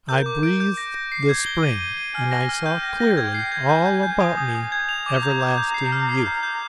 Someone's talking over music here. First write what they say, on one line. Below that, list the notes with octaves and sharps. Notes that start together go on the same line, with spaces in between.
I breathed the spring and I saw clearly all about me everlasting youth.
A#4 G6
D6
D7
G6
A#6
A#6
C7
G#6
G7
D#7
D#7
D#7
G#5 F6
A#6
F6
G5 G6
A#6
A#6
G#6
C7
G#6
G#5 G6
G6
G6
D#6
D#6
D#6
G#6
F7
D6
A#5 G6
G6
G6
C7
F6
C7
A#5 G6
G6